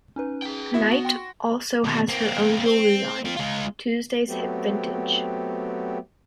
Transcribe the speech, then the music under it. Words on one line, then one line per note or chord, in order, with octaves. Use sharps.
Knight also has her own jewelry line "Tuesday's Hip Vintage".
C#4 D#4 B4
G#4 G5
B3 E4 F#4 E5
F#4
G5 C6 A#6
B2 D#3
A#3 C4
C4
C4 F4
G#3 F4
F#3 A3 B3 C4 G4